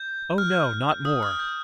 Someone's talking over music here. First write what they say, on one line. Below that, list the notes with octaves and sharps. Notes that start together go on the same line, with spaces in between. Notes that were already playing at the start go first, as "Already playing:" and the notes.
"Oh, no, not more!"
Already playing: G6
F6
D#6
F6
G6